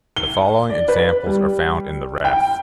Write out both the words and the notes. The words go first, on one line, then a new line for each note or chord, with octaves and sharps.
The following examples are found in the Ref.
G7
D5
B4
G3
G5